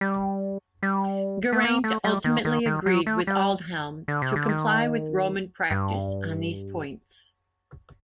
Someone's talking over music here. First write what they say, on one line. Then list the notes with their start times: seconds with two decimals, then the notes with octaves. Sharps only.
Geraint ultimately agreed with Aldhelm to comply with Roman practice on these points.
0.01 G3
0.83 G3
1.52 A3
1.64 A#3
1.84 A3
2.04 G3
2.24 D#3
2.45 D#3
2.66 D#3
2.86 F#3
3.06 A3
3.27 G3
4.08 D3
4.22 C3
4.36 D3
4.49 D#3
5.71 G2